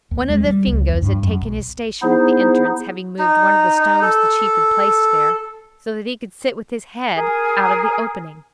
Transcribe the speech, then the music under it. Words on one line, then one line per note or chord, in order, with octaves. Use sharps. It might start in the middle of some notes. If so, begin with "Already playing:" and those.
One of the Fingoes had taken his station at the entrance, having moved one of the stones the chief had placed there, so that he could sit with his head out of the opening.
D#2
G#3
G3
C#2
E2
G2
F#2
B1
B3 D#4 E4 G#4 C5
D#4
D#4
A4
G#4 A#4